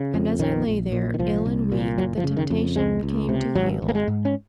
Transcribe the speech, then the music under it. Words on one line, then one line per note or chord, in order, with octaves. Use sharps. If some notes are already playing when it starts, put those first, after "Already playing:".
And as I lay there ill and weak, the temptation came to yield.
Already playing: C#3
F2
A#1 D#3
A#1
A#2
D#3
C2 F3
C2
A#2
F#1 F#3
F3
C#3
D#3
F2
C#2 G#3
C#2
C3
G#1 F#3
G#1
A#3
G#3
G#2
C#4